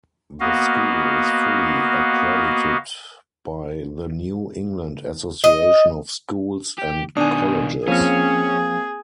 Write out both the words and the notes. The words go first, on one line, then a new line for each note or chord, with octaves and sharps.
The school is fully accredited by the New England Association of Schools and Colleges.
A#3 B3 F#4 D#5 F5
D#5
G4
B2 D#3 D4 G#5 D#6
F3 A#3 C4 C#4 G#4